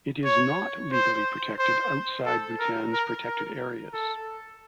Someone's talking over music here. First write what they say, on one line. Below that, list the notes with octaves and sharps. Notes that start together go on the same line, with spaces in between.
It is not legally protected outside Bhutan's protected areas.
C#5
C5
C5
A4
A#4
A#4
A#4
A4